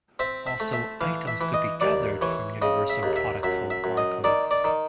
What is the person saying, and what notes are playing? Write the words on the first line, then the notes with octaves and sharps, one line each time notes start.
Also items could be gathered from Universal Product Code barcodes.
C4 E5
E5
A3
E5
E3 F5
E5
E3
D#5
D#2 D5
E3 C#5
C#3 D#5
E5
D#2
E5
F#2 E5
E5
F#2
D#5
D#3 D5
D5
D#3